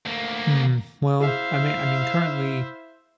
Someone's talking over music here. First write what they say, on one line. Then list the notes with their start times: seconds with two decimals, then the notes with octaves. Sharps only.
Hmm, well, I mean I mean, currently,
0.05 D2 A#3
1.21 E4 G#4 C5 E5 F5